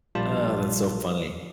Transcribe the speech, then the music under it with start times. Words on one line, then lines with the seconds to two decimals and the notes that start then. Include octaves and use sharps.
Uh, that's so funny.
0.15 A#1 G3 F4 A5